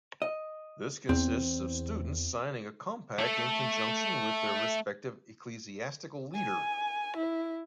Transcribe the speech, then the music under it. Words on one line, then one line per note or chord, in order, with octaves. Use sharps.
This consists of students signing a compact in conjunction with their respective ecclesiastical leader.
D#5
E2 C4
A3 A4
G#5
E4